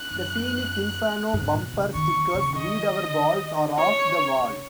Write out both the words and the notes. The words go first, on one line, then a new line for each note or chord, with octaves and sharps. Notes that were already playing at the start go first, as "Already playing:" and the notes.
The Phoenix Inferno bumper stickers read Our Balls Are Off The Wall.
Already playing: F#6
F#2
G#2
B2
C#3
D#3 C#6
D#3
C#3
D#3 D#5
C#5
C#3